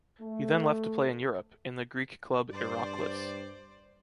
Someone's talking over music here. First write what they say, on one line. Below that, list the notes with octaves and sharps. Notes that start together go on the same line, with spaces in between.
He then left to play in Europe, in the Greek club Iraklis.
A3
G2 C5 D5